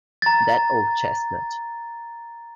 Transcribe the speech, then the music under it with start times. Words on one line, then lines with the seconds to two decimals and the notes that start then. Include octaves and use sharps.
That old chestnut.
0.22 A#5 A6